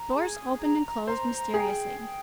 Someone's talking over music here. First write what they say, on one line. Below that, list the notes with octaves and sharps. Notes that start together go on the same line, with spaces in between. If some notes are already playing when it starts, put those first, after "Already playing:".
Doors opened and closed mysteriously.
Already playing: A#5
G#4
A#5
C5 A#5
G#4 G5
G5